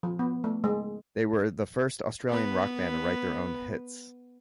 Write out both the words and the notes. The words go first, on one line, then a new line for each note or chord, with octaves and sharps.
They were the first Australian rock band to write their own hits.
F3
B3
A3
G#3
B3 B4